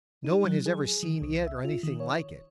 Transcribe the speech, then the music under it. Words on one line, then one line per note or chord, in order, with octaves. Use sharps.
No one has ever seen it or anything like it.
D#4
F#3
G#4
D#3
C2
E5
F4
D#3
C#5